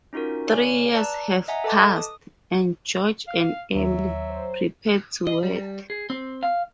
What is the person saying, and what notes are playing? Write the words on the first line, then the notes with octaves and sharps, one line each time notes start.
Three years have passed, and George and Emily prepare to wed.
C#4 D#4 F4 F#4 A#4
C#5 D5 F5 G#5 F6
B4 D5 A5 A#5 E6 F#6
D#5 E5 F#5 G#5 A#5
A4 B4 D#5 A5 D6
D#6
F5
D#2 F#3 E5
C5
D#5
G3
G#4
C4
F5